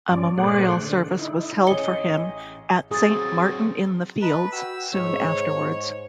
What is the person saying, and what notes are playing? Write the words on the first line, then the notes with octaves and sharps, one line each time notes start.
A memorial service was held for him at Saint Martin-in-the-Fields soon afterwards.
G2 C#4 D5
A#2 A3 G#4 C5 D5 F#5
D3
D#4 E4
A1 G#4 C#5 D#5 C#7 G7
F#3 C4 G#4 D#6 A6
B4 D#5 A5 A#5
F#4 G5 E6
G#2 C#5